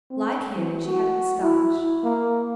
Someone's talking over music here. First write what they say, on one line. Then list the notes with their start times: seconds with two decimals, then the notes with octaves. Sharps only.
Like him, she had a mustache.
0.11 C4
0.56 E3
0.85 F#4
1.42 E4
2.03 A#3